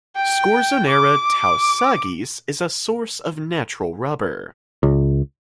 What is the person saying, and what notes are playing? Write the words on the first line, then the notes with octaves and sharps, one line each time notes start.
"Scorzonera tau-saghyz" is a source of natural rubber.
G5
D6
C#2